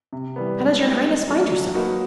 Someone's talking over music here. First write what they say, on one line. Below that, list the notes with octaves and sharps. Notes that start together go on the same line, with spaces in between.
How does your Highness find yourself?'
C3
E3 G3 B3
G#3
C4 E4 G4 B4
D#3
F#3 A3 D4
F#3
A#3 D#4 F#4 B4